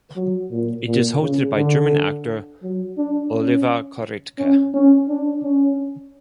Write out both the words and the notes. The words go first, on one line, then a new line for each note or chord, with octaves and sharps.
It is hosted by German actor Oliver Korittke.
F#3
A#2
A#2
C#3
D3
F#3
D4
C#4
C#4
C#4
D4
C#4